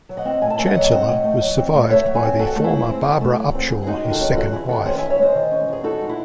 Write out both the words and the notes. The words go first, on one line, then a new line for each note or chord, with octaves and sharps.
Chancellor was survived by the former Barbara Upshaw, his second wife.
F#3
D#5 F#5
C4
A2 G#5
A5
A3 E5 G#5
D#5 F#5
F#3
C4 D#5 F#5
A2
A3
F#3
C4
A2
A3 C#5 E5
F#3
E5 G#5
C4
G#2 F#4 A4
A3
E4 G#4
F#3
C4
G#2
A3
F#3
C4
G#2
G#4
G#3 D#4 F#4
D#3
F#4 A4
C#4
C5
E2 F#4 A4
G#3 E4 G#4
D#3 F#4 A4
C#4 G#4 C5
E2 E5 G#5
C#5 E5
G#3 C5 D#5
D#3
C#4
E2 G#4
D#4 F#4 A4
G#3
E4